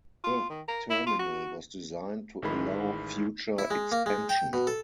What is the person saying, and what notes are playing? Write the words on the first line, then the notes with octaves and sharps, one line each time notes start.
The terminal was designed to allow future expansion.
F4
D#3
A#4
E4
F4
F#4
A1 D#3 E3 G#3 B5
E4
G#3
A#3
G#3
G5
B2
A4